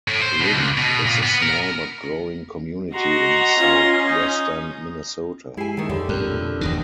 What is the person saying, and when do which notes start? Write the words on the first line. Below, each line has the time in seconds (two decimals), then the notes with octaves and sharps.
Lynd is a small but growing community in southwestern Minnesota.
0.08 A2
0.22 C5
0.40 B2
0.53 C#2
0.78 B2
1.05 A#2
1.23 B3
1.42 A#4
2.94 F#4 D#5 A#5 C6
3.59 C#4 F4
4.08 D#4 D#6
5.57 G#3 E4 G4 G#5 C7
5.77 D#3 A3
5.89 F2 D3 G4 C#5 B5
6.09 F2 G#3 A#4
6.31 B2 A3
6.61 E1 E2 D#3 D#6 A#6